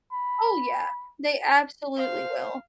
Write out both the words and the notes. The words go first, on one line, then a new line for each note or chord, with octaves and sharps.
Oh, yeah, they absolutely will.
B5
C5 F5